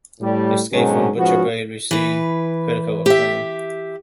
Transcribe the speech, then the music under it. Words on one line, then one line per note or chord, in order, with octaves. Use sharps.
"Escape From Butcher Bay" received critical acclaim.
A2 G3
G#2 B2 D3 D#3 F#3 C#4
G#2 F3 B3 C#4 F#4
E3 B4
G4 E5